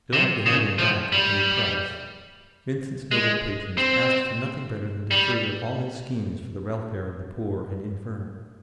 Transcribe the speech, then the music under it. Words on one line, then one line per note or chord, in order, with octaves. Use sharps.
Delighted to have him back at any price, Vincent's noble patrons asked for nothing better than to further all his schemes for the welfare of the poor and infirm.
C3
C#3
F3
G3
G#3
C4
G3